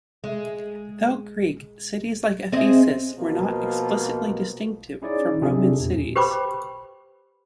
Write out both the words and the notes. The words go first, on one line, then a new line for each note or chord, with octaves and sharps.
Though Greek, cities like Ephesus were not explicitly distinctive from Roman cities.
G#3
C4 G#4 D#5
B2 F3 A#3
C#4 D#4 E4 G#4 C#5 D5
C3 C4 D4 D#4 G#4 A4
E2 A#2
G4 B4 C5 G5 B5 D6